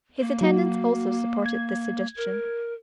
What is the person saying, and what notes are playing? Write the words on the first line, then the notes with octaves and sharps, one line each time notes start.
His attendants also supported this suggestion.
A#3
F#3 F#4
G#6
A#4